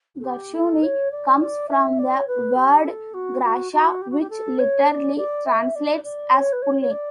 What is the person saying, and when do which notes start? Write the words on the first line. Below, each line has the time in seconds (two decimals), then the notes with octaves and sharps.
"Garshuni" comes from the word "grasha" which literally translates as "pulling".
0.20 A4
0.24 G4
0.53 A4
0.82 C#5
1.11 D5
1.40 D5
1.69 E5
1.98 D5
2.18 C#5
2.27 B4
2.56 G4
2.85 A4
3.14 F#4
3.43 F#4
3.72 F#4
4.01 G4
4.10 F#4
4.19 G4
4.30 A4
4.59 C#5
4.88 D5
5.16 D5
5.46 E5
5.75 D5
6.04 D5
6.33 C#5
6.52 B4
6.62 C#5
6.80 C#5
6.90 D5